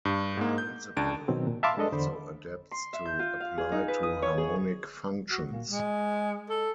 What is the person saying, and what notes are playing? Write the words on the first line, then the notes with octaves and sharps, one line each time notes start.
The principle also adapts to apply to harmonic functions.
G2
G#2 G#3 A#3
G6
C#2 D4 A5 D7
B2 D#3 F#3 C4
A#2
E5 F5 A5 B5 C6 D6
G#3 D4 A4 D#5
E2 D3 C5 B5
C6
E5
G6
F4
F5
G#4
D#4
B4
D#6
C#5
G#4
F#4
A#2
G#3
A4